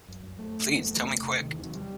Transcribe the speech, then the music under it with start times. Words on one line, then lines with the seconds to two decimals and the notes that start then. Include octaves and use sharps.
Please tell me quick!
0.08 F#2
0.24 F#2
0.38 F#2 A3
0.54 F#2
0.69 F#2
0.79 B3
0.84 E2 A3
0.99 C3
1.15 C3
1.29 C3
1.40 E2 D#3
1.51 E3
1.60 C3 F#3
1.75 G3